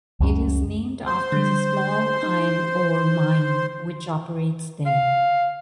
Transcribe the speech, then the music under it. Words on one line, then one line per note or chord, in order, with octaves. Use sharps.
It is named after the small iron ore mine which operates there.
C#2 F#2 C#4
C5 C6
D3 G3
D#4
F5